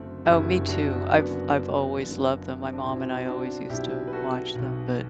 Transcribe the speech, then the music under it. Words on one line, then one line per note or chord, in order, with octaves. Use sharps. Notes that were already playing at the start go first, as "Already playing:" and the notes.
Oh, me too. I've I've always loved them, my mom and I always used to watch them, but
Already playing: F#1 F#2 D3 A3 C4
F#1 F#2 D3 E4 G4
D4 F#4
F#1 F#2 D3 B3 D4
F#1 F#2 D3
C4
D4
B1 B2 C4 E4
D4 F#4
B1 B2 E4 G4
B4
F#4 A4
B1 B2